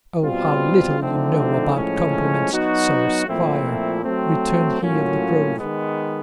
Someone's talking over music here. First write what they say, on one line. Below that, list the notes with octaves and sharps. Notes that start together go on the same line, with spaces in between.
"O how little you know about compliments, sir squire," returned he of the Grove.
B2 G3 C4 F4
D3 F3 A3 C4 D#4
A2 F3 G#3 C#4
F#3 B3 D#4 F#4
A#2 F3 A3 C4 E4
F#3 A3 C4
A2 F#3 A#3 C#4 F4
D#3 G#3 B3